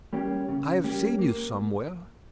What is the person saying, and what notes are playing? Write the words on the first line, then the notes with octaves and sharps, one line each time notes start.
"I have seen you somewhere."
G3 A#3 C#4 G4
C#3
G3 A#3 C#4 G4
A#3